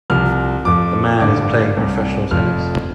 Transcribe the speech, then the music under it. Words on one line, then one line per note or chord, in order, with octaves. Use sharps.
The man is playing professional tennis.
C2 C3 F3 F6
F2 F3 D6
A1 G2 D3 D6
C2 C3 G3
F1 F2 F3 F6